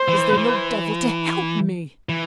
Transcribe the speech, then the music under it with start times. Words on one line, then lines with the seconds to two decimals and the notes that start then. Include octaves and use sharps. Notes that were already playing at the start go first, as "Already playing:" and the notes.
Is there no devil to help me?'
Already playing: C5
0.08 E3
0.33 F#3
0.37 E3
2.09 E3